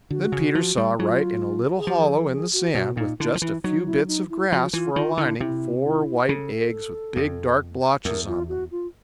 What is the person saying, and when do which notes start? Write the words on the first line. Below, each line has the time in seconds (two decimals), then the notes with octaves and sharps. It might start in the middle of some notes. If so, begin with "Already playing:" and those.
Then Peter saw right in a little hollow in the sand, with just a few bits of grass for a lining, four white eggs with big dark blotches on them.
0.10 D3 F#4
0.32 C#3
0.55 F3
0.77 G3
0.99 F#3 F4
1.78 G#4
1.87 F3 G4
1.99 G#4
2.09 A4
2.31 G#4
2.53 F#4
2.75 B2 F#4
2.97 A#2 D#4
3.19 D3 E4
3.35 F3
3.42 E3 E4
3.64 F#3 D#4
3.86 E4
4.08 D#4
4.30 E4
4.52 F3 F#4
4.73 E3 F4
4.96 D#3 F4
5.17 D3 E4
5.40 C3 E4
5.85 E4
6.29 C#3 A4
7.16 F2
8.05 E2 A#4
8.27 F4
8.49 F#4
8.71 F4